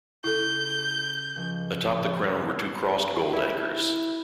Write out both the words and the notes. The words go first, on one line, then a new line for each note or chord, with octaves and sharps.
Atop the crown were two crossed gold anchors.
C#3 E4 A4 G6
C#2 F3
E4